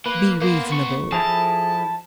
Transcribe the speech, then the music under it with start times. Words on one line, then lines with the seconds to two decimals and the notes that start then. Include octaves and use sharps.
Be reasonable.
0.06 A#3 B4
0.41 A#3 B3 C5
0.72 C#6
1.12 F3 E4 G#4 A4 A5 A#5